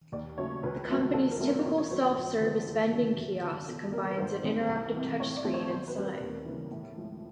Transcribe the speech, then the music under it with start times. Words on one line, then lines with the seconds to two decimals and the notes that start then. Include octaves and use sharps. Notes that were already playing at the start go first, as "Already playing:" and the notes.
The company's typical self-service vending kiosk combines an interactive touch screen and sign.
0.12 D#2 D5
0.38 C#3 F#3 A3 C#5
0.63 C#2 B4
0.89 B2 F#3 A3 C4
1.14 C2 A4
1.31 A#4
1.39 B2 F#3 A3 C4
1.48 A#4
1.59 D5
1.65 A#2 C#5
1.78 C#5
1.90 F#3 B3 C5
2.03 C5
2.15 G2
2.41 D3 F3 G#3 B3
2.67 E2
2.92 C#3 E3 G3
3.17 F#2
3.43 D3 F3
3.68 B2 A4
3.92 G3 A#4
3.97 A#3
4.09 B4
4.18 G#2 C5
4.44 D#3 G#3 C4
4.69 C2
4.94 C3 E3
5.20 A2 C#5
5.37 D5
5.44 F3 A3 C4
5.54 C#5
5.70 B2 C5
5.88 B4
5.96 G3 B3
6.04 A#4
6.20 D#2
6.46 C#3 E3
6.71 A2
6.96 F3 G#3